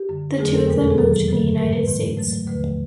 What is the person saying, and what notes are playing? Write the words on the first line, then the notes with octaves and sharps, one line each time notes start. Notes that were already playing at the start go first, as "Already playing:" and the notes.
The two of them moved to the United States.
Already playing: G4
F#2 D3 G3
F2 D3 F#3 A3 G#4
A#4
A4
E2 B2 G#3 A#4
A4
G#4
F#2 D#3 F#3 A4
G2 D3 F#3
G#2 E3 G#3 A#4
B4
A2 E3 A3
A2 F#3 A3
D#2 D3 F3 A3 B4